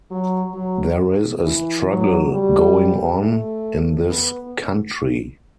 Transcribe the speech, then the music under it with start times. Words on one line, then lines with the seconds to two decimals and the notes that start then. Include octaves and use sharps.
There is a struggle going on in this country.
0.11 F#3
0.54 F#3
1.43 E3
1.88 F#3
2.32 G3
3.21 A3
4.09 B3